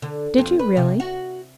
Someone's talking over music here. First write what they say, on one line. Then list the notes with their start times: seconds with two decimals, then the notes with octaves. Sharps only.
"Did you, really?"
0.02 D3
0.38 F2
0.59 B4
0.77 C3
1.00 F#4